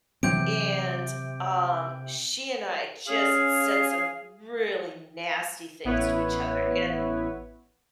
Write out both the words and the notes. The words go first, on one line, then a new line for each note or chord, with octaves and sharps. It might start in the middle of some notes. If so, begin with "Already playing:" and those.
and, um, she and I just said some really nasty things to each other and
C3 E3 F#3 C4 G6 D7
C#4 G#4 F5
A1 B3 E4 B4 C#5